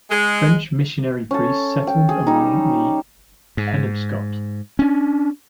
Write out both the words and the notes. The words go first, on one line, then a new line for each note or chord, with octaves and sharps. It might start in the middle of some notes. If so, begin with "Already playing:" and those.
French missionary priests settled among the Penobscot.
G#3
C#4 A4
G5
G#4
G3 D#4
G#2
C#4 D4